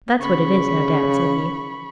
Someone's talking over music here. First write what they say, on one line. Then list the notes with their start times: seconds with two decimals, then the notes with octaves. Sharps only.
"That's what it is, no doubt," said he.
0.20 C#3 B5 C#6